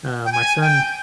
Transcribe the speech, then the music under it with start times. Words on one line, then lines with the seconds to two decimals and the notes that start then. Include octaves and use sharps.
uh, my son
0.25 G5
0.33 G#5
0.62 G5